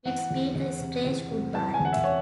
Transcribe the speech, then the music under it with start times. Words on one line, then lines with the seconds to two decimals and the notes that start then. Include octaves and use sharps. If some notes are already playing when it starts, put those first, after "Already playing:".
It's been a strange goodbye.
0.05 E3 F#5
0.31 E2
0.55 E2
0.80 C3
1.06 E2
1.30 C3
1.55 E3 A5
1.74 G#5
1.80 E2 F#5
1.93 E5
2.04 C#5